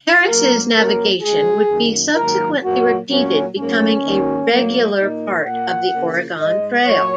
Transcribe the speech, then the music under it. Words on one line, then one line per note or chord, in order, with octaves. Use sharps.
Harris' navigation would be subsequently repeated, becoming a regular part of the Oregon Trail.
F#2 F#3 A#3 A#4
F#2 F#3 A#3 A#4
C#3 G#3 G#4
F#2 D#3 A#3
G#2 D#3 F#3 A#3 A#4
A#2 F#3 A#3 F#4
A#2 F#3 A#3 C#4
G#2 F#3 A#3 C#4
G#2 D#3 A#3
G#2 F#3 A#3
A#2 A#3 D#4
A#2 A#3 F#5
C#3 A#3
G#2 D#5
G#3
A#2 F#3 C#5